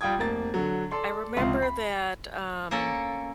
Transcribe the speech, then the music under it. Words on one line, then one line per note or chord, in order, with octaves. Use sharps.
I remember that, um
G3 F4 G5 D#6 G#6
F1 A#3 A6
D3 F#3
A4 D5 C6
C#2 C3 F3 F5 C6
B5
A#3 C#4 A4